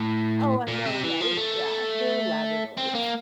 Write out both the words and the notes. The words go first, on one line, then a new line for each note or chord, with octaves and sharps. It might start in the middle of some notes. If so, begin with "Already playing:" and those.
Oh, I know. Right? Yeah. They were Labradors.
Already playing: A2
A#2
C3
E3
F3
A3
C4
A#3